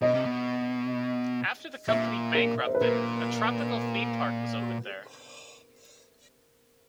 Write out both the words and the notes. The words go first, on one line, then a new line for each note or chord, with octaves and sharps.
After the company bankrupted, a tropical theme park was opened there.
B2 D#5
C3
B2
A#2 E5
A#4
C5
B4
A#2 A#4